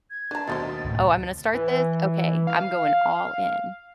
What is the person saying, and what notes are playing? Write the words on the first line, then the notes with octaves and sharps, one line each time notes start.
"Oh, I'm gonna start this? Okay. I'm going all in."
G#6
D4 B4 A5 A#5
D#2 B2 A3 D4 C5 A6
D2 A2 C3
E3
F5